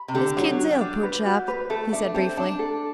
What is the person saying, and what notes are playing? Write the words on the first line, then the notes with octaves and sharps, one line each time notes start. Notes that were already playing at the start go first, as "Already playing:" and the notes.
'His kid's ill, poor chap,' he said briefly.
Already playing: B5
C3
D3 G4
F#3 D4
F#4
G3
D4
B4
F#4
B4
A3 A4
D4 E5
C4 A4
D4 A5
A4